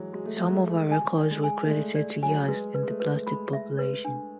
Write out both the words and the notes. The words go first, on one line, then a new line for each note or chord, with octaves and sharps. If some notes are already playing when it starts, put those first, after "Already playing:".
Some of her records were credited to Yazz and The Plastic Population.
Already playing: E3 F#3 G#3
G#3 F#4
A3
G#3 E5
G#3
A3
F#4
G#5
D5
G#3
G#5
A3
G#3 D5
G#3 D5
F#3 G#5
G#3 B4
B4
G#3
A3
B4
G#3 B5
E5
B4
D4